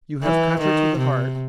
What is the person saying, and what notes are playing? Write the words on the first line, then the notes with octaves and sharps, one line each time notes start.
"You have cut her to the heart."
E3
D#3
C3